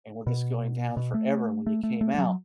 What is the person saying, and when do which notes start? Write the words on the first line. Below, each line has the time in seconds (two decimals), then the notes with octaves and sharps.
and were just going down forever, and when you came out,
0.27 B2
0.97 B2
1.14 A3
1.67 A3
1.83 A3
2.01 A3
2.14 A3
2.18 F#3